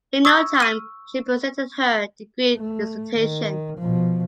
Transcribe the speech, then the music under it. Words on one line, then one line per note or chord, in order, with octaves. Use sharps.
In no time she presented her degree dissertation.
C#6 D#6 E6 G#6 A#6
F6 D#7
A3
D#3
B2 F3